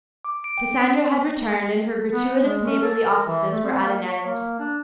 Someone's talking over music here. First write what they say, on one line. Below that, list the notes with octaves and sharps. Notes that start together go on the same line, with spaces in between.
Cassandra had returned, and her gratuitous neighborly offices were at an end.
D6
D7
G5
B3
G#3
C#4
A4
A#4
E3
A3
C4
A#3
C#5
A#3
D4